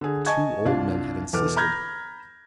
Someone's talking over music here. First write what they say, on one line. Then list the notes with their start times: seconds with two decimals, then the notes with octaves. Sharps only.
The two old men had insisted.
0.01 D3 G#4
0.26 D#5 G#5 A5 C#6 G#6
0.65 C2 D4 F4 F5
1.33 E2 B2 A4 D6 F6
1.56 A#5 B5 F6 G6 G#6 A#6